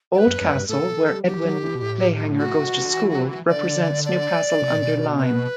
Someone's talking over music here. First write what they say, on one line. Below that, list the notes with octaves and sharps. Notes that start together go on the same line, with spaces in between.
Oldcastle, where Edwin Clayhanger goes to school, represents Newcastle-under-Lyme.
D5
B4
F#2
F#2
G2
A2 A4
B2
E3
G3
F#3 G4
E3
F#3
E3
B2
A2
F#4
A2
B2
C3
D3
E3
F#3
E3
D3 D5
D5
C3
B2
A2
B2
D5
B4